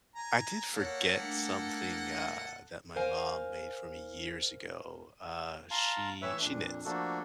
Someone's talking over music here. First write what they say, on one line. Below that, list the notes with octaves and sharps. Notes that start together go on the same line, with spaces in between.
I did forget something, uh, that my mom made for me years ago, uh, she she knits,
G#5 A#5
A#3 A4 C#5 F#5 C#6
G3 A3 D4
A#4 C5 F5 G#5
F5 A5 A#5 C6
A2 E3 B4 C#5 E5 E6
F2 A#2 D4
F3 A3 A#3 D4 F#4 A4